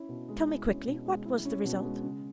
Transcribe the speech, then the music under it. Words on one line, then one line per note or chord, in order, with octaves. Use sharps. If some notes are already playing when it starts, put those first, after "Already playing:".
"Tell me quickly--what was the result?"
Already playing: C#4 E4
B2
G#3
E4
C#4
B2
G#3
E4
C#4
B2
G#3
C#3